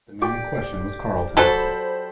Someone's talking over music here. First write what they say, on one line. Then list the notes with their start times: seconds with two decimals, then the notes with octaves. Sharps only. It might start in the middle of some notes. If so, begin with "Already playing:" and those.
The man in question was Carlton.
0.21 G4 D5 D6
1.37 F#3 A4 C5 B5